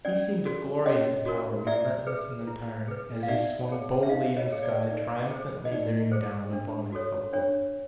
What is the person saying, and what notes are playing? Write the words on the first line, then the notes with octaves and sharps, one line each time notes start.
He seemed to glory in his power, relentless and untiring, as he swung boldly in the sky, triumphantly leering down upon his helpless victims.
C#4 D5
F#4 A#4
C#4 C#5 D#5
F#4 A#4
E4 D5 E5
G#4 B4
E4
G#4 B4
F5
D#4 D5 E5
G#4 C#5
E5
D#4 D#5 F5
C#5 D#5
G#4 C#5
D5
D#4 D5
G#4 C5
D#5
D#4 D5
G#4 C5
D4
F#4 A4 C#5
D4 C#5